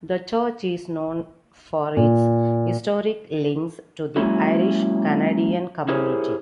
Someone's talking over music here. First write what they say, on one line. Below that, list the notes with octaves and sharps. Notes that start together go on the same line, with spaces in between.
The church is known for its historic links to the Irish Canadian community.
A#2
F#3 G#3 A#3 C#4 E4 F#4
E4 G4 G#4 A#4 C5 C#5